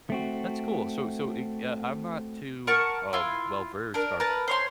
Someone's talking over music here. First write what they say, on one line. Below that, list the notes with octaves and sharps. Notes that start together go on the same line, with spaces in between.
That's cool, so so eh, yeah, I'm not too, uh, well-versed on
A3 C4 F#4
A#4 F#5 A5 C#6
E4 F4
D4 A#4
A#4 B4 A5
C5 C#5 C6